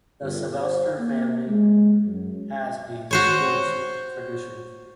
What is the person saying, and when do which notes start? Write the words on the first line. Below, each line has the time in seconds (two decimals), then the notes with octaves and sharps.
The Sylvester family has a sports tradition.
0.21 G1
0.58 C5
0.98 A#3
1.47 G#3
2.06 F#2
3.11 F#4 C5 C#5